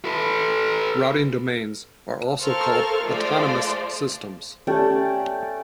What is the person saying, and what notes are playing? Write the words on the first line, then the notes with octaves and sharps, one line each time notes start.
Routing domains are also called autonomous systems.
A4 B4
A4 A#4 C5 F5 C#6 F6
F3 G#3 A3 C5 D5
A3 C#4 G4 D5